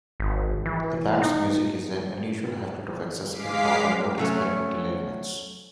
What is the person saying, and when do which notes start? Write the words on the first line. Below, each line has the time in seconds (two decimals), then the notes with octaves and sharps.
The band's music is an unusual hybrid of accessible pop and more experimental elements.
0.20 G#1
0.66 E3
1.22 D#4
3.31 G#3 F5 D6 B6 C7
4.18 F#3 A3 C#4